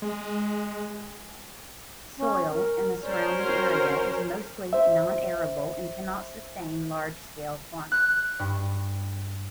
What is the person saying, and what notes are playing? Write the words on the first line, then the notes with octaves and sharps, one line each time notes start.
Soil in the surrounding area is mostly non-arable and cannot sustain large scale farming.
G#3
C#4
A#4
C#4 A#4 C5 D5
F#4
C5 E5
F#6
G2